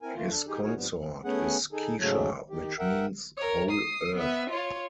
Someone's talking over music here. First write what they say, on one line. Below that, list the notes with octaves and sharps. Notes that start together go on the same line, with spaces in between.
His consort is Kishar which means "Whole Earth".
C4 E4 A#4 G#5
F2 D3 E3 A3 A#3 F4
D4 A4
D#4 G4 G#4
D#4 F#4 G#4 A#4 C#5
G2 F3 G3 B3
A3 B3 C#4 G#4 F#5
D#4 G#4 A4
G#2 C#3 F#3 A3
D#3 G4
A#4 E5 F#5 G5
A#4 C#5
D#6 C7
B3 E5
F4 C#5